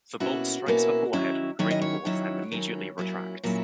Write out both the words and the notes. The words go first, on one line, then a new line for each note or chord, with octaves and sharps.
The bolt strikes the forehead with great force and immediately retracts.
B2 A#3 C#4 E4 F#4
B2 A#3 C#4 E4
D#3 F#3 C#4 E4
D#3 F#3 C#4 E4 C#5
D#5
C#5
D#3 F#3 C#4 E4
D#3 F#3 C#4 E4
A#2 F#3 C#4 E4
A#2 F#3 C#4 E4